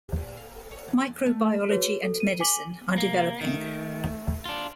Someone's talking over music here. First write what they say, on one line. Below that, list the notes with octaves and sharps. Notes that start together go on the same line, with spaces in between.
Microbiology and medicine are developing.
A#2
F5
C#5
E3
F2
A3
F#4 G#4 B4 C#5
A4
D#7
G#5 D6 B6 F#7 G7
C3 A#3
D#3 A3
D4 F4